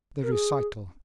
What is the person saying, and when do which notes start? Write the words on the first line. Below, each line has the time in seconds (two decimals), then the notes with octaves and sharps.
The Recital.
0.23 A#4
0.32 G#4